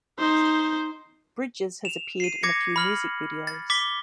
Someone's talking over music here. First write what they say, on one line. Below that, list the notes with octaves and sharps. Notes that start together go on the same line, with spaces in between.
Bridges has appeared in a few music videos.
D#4 C5
E7 F7
C7 D#7
D6 G#6 A#6 C#7
B5 F6 F#7
A6
D6 A6 B6 G7